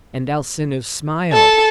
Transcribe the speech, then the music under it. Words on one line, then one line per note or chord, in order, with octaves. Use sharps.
And Alcinous smiled.
A4